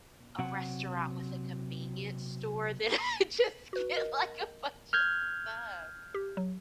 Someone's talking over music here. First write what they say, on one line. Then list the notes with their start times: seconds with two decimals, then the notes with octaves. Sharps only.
a restaurant with a convenience store, then I just get like a bunch of stuff.
0.39 C3 F#3 F#5
3.73 F#4 B4
3.96 A#4 D#5
4.93 F6 G6 G#6
6.14 G4
6.37 F#3